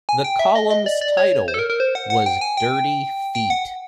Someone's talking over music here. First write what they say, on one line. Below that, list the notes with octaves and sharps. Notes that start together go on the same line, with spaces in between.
The column's title was Dirty Feet.
G#5
G5
E5
D#5
D#5
D5
D5
C#5
C5
A4
A#4
A#4
C5
F#5
F#5
G5
G#5
G5
G5
F#5